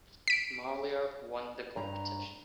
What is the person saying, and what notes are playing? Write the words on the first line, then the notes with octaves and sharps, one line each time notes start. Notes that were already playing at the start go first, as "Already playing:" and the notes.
Marlier won the competition.
B6 D7
G2 A#5